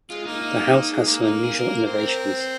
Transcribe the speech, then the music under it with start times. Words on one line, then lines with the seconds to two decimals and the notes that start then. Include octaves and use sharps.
The house has some unusual innovations.
0.10 G#3 F4
0.26 A#3 D#4
0.41 D#4
0.91 G#3
1.06 A#3
1.22 A#3 D#4
1.44 G#4
1.55 A#4
1.71 A#4
1.87 C4 C5
1.98 A#4
2.09 A#4
2.41 C5